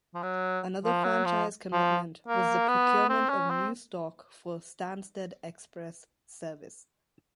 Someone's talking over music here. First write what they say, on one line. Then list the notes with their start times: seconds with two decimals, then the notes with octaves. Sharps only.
Another franchise commitment was the procurement of new stock for the Stansted Express service.
0.15 F3
0.23 F#3
0.85 F3
1.04 F#3
1.25 F3
1.73 F3
2.28 A#3
2.68 B3
3.10 C4
3.30 C#4
3.50 C4